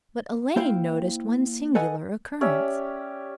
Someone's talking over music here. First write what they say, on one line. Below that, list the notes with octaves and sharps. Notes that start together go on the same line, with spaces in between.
But Elaine noticed one singular occurrence.
A#3 E4 C5 F5 G5
A4 B4 D#5 F#5 G#5
C#4 G4 D5 E5